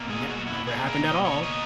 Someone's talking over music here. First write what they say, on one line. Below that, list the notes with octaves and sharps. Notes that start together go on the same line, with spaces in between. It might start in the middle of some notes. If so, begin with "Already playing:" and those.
ne never happened at all,
Already playing: B2 A#3
G#4
F#4
E4
B2 A#3 G#4
A#4
D#5
C#5
B2 A#3 D#5